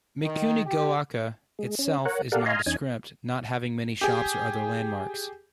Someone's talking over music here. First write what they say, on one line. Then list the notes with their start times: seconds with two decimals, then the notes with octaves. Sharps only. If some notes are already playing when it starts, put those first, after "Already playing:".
Mikunigoaka itself is nondescript, not having many shops or other landmarks.
0.23 D#3
0.66 G4
1.59 G#3
1.79 C#4
2.05 A#4 C#5 F#5
2.32 G4 A4 A#4 D5 F5 F#5
2.46 D#5 F5 G#5 A#5 C6
2.66 E2 C#4 D#4 G#5
4.01 G4 G#4